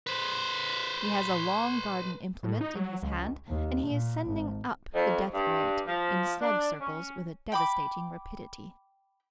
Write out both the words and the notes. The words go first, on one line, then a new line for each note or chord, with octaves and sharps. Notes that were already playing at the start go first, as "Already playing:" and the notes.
He has a long garden-implement in his hand, and he is sending up the death-rate in slug circles with a devastating rapidity.
B4 C5
A2
D#4
F#3
C#2
D#2
A#2
G#1
F2
G2
F3
D4
C#4
G5 B5 D6